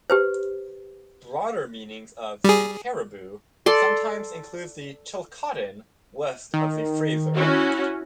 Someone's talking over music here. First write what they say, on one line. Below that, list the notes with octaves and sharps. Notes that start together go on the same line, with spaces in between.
Broader meanings of "the Cariboo" sometimes include the Chilcotin, west of the Fraser.
G4 B4 C5
G3 G#4
A4 D5 C6
D#3
C#4 E4 F#4